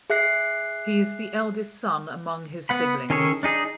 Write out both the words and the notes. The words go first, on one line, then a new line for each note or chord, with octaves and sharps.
He is the eldest son among his siblings.
G#4 E5 F#6 C7
B3 F#5 B5
D#3 C#4 G#4 A4 C#5
D4 D#4 G#4